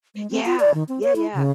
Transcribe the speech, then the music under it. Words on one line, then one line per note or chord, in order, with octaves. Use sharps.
Yeah! Yeah, yeah.
G#3
C4
F4
D5
D#3
C4
C#5
E4
C#3